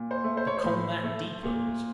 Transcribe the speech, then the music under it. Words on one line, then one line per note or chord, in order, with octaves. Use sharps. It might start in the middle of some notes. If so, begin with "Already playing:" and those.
The combat deepens.
Already playing: A#2
C5
A3
C5
C#5
C5
A2
A3
A#2